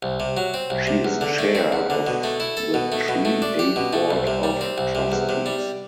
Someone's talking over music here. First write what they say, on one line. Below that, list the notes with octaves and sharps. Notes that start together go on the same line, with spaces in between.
She is Chair of the Tree Aid Board of Trustees.
C2
C3
F#3
C4
C2
C3
E2
D3
A3
C4
E2
D3
B2
A3
E4
A4
B2
A3
B2
A3
D4
G4
B2
A3
C2
C3
G3
C4
C2
C3
E2
C3
G3